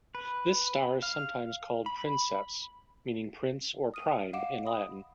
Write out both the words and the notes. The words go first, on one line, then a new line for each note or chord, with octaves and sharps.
This star is sometimes called Princeps, meaning "prince" or "prime" in Latin.
B4
F5
B5
D#6 F6 D#7
D#5 F5 F#5 D6 D7 E7
B5 D#6